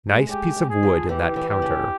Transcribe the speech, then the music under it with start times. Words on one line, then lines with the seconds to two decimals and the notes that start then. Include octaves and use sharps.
Nice piece of wood in that counter.
0.09 G#3
0.29 G#3 G4
0.56 G#3
0.70 G#4
0.83 F3
1.09 E3 G4
1.36 E3
1.49 G4
1.62 C#3